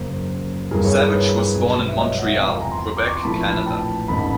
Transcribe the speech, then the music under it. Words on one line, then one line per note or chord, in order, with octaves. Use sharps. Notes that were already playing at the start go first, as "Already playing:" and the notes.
Savage was born in Montreal, Quebec, Canada.
Already playing: F#2 C#3 F#3 A#3 A#4 C5
G2 E3 G3 G#4 A#4
B4 C#5
B4 C#5
B1 B2 G#3 C4
E5
C#5 D#5
E5 F#5
E2 C3 F3
F5 G5
G#5 A#5
A#5 C6
D6
C#6
C6
A#1 A2 E3 A3 A5 B5
G5 A5
A1 G#2 D#3 A5 B5